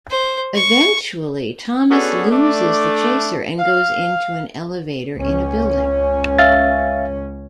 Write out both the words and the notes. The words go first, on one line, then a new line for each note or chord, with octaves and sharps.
Eventually, Thomas loses the chaser and goes into an elevator in a building.
C5
C#6
B3 C#4 D4 F#4 G#4 A4
A3 D4 D5
F5
C#2 C#4
E5 F5 A6